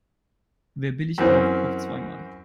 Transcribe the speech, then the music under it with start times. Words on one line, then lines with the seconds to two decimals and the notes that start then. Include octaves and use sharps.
Wer billig kauft, kauft zweimal.
1.18 F#2 E3 C4 C#4